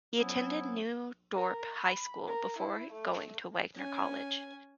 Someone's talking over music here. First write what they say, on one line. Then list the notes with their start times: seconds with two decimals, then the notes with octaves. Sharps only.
He attended New Dorp High School before going to Wagner College.
0.18 F3 F#3 B3 C#4 E4
1.35 A#4
1.78 B5
2.27 A#4
2.59 E4
2.93 A3
3.76 C#4 G#5